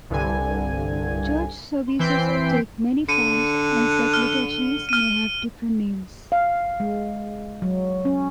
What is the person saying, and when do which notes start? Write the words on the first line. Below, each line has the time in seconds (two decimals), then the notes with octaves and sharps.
Church services take many forms, and set liturgies may have different names.
0.10 C2 G2 D3 G#5
1.99 E3 C4 G6 B6 C7 D7
3.09 D3 C#7 D#7
4.13 F6
4.89 F6 D#7
6.32 F5
6.80 G#3
7.62 F#3
8.05 C#4